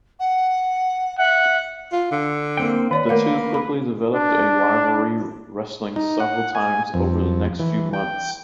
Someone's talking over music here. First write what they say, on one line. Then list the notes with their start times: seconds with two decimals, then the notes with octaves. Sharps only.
The two quickly developed a rivalry, wrestling several times over the next few months.
0.19 F#5
1.18 E5 F#5
1.92 F4
2.11 D3
2.57 A#3 C4 G5
2.91 D#3 B4 C#5 D5
3.09 A3 A#3 A#4 F5
3.54 B5
4.14 D4
5.96 D#4
6.20 F#5
6.55 G#5
6.94 F2
7.59 E3
7.93 G5